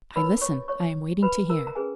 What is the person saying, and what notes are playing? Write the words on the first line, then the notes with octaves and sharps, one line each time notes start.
"I listen--I am waiting to hear."
D#4 A#4 B4 C#5 B5
C#5 C#6
C#5 C#6
B4 B5
A#4 A#5
A#5
C#4 G#4 B4 G#5